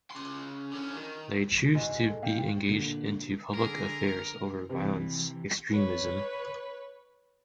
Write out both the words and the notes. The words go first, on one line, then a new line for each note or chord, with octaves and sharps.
They choose to be engaged into public affairs over violence extremism.
C#3 C6
D3 C#4
D#3
G#1 C#2 G#2 G#3 F#4
A4
A#2 B3 F5 G5
A#2 D3
D3 G#4 A#4
C3 E3
B4 C#5